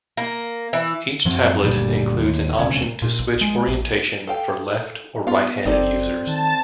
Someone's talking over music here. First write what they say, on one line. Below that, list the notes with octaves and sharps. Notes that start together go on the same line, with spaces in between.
Each tablet includes an option to switch orientation for left- or right-handed users.
A#3
E3
F#2 F3 F#3 C4
F#1 D2 A#2 G3
D#2
D#1 D2 C3 C#4
A#2
B1
G#3
A#1
A4 F5 G5
B3 F4 F5
G1 C4 D#4 A4 D5
D#3 A5